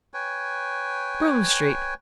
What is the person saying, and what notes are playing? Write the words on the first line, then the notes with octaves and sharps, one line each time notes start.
Groome Street.
B4 C#5 G5 G#5